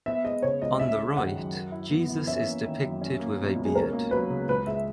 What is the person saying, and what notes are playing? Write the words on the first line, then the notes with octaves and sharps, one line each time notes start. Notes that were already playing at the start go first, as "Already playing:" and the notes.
On the right, Jesus is depicted with a beard.
B3 E5
G#3 D#5
C#3 C#5
C#2 D#5
C#4 E5
G#3
D#3 F#5
F#2
A#4
E4
B3
E3
C#4 E5
A#3
D#3
F#2
C#4
A#3
B2
C#2
G#4
C#4 A#4
A#3
F#3 B4
C#3
C#2 B4
G#3 E5